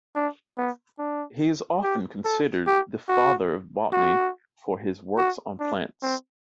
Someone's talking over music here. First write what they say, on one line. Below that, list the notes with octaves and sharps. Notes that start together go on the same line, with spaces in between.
He is often considered the "father of botany" for his works on plants.
D4
B3
D4
G4
A4
G4
F#4
F#4
F#4
D4
C4